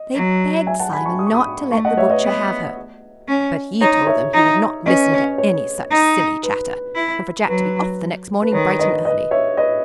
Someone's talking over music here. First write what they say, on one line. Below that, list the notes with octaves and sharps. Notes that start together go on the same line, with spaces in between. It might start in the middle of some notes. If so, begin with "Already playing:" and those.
They begged Simon not to let the butcher have her, but he told them he would not listen to any such silly chatter and for Jack to be off the next morning bright and early.
Already playing: D#5
F#3
E5 G#5
F#5 A5
G#5 B5
A5 C#6
D#6
C#6
B5 D#6
A3 A5 C#6
D#5 F#5
C#5 E5
B4 D#5
B3
C#4
D#4 C#5
C#5 E5
D#4
C#4 B4 D#5
C#5
C#5
D#4
B4
E4
F#3 B4
B4
D#3 C#5
B4 D#5
B4 D#5
C#5 E5
B4 D#5